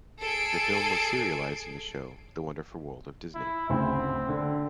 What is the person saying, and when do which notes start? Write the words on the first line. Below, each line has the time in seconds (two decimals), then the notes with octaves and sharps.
The film was serialized in the show "The Wonderful World of Disney".
0.21 G#4 A4 G#5 G#6 C7 D7
3.34 E4
3.70 D2 C#3 C4 B5
4.29 D3